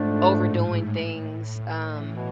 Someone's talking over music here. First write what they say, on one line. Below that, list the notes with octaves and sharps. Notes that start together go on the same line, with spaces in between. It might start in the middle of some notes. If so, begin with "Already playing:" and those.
overdoing things, um,
Already playing: F2 G#2 D3 A3 D4
A2
A2
E3
B2